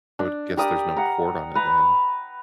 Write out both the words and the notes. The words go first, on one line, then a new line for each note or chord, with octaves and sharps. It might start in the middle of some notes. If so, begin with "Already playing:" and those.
I would guess there's no cord on it then,
D4
G4 A#4 D5 D#6
F#5 A#5
B4 A#5